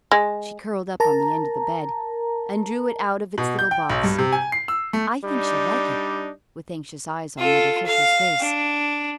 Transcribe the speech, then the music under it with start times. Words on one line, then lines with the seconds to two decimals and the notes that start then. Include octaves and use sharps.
She curled up on the end of the bed, and drew it out of its little box. "I think she'll like it," with anxious eyes on Mother Fisher's face.
0.12 G#3
1.00 A#4 A5 A#5
3.38 B2
3.59 G6
3.71 G5
3.90 B1
4.04 G2
4.18 C3
4.32 G#5
4.52 C7
4.68 E6
4.93 A3
5.24 G3 D4 D#4
7.38 F4 A4
7.86 F5
8.40 D4